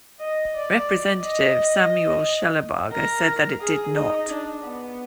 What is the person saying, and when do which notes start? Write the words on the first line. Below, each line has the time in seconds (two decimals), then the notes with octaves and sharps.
Representative Samuel Shellabarger said that it did not.
0.20 D#5
0.55 D5
1.23 D#5
2.92 A#4
3.61 G#4
3.95 D#4
4.29 D4
4.63 B3